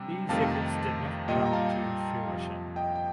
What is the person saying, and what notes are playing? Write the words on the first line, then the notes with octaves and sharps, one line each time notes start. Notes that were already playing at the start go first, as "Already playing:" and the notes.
These efforts did not come to fruition.
Already playing: C3 G3 D4 G5
F2 C3 D#3 A3 F5 A5
A#2 G3 A#3 D#5 G5
A#5
F5 A5
F2 C3 F3
D#5 G5
G5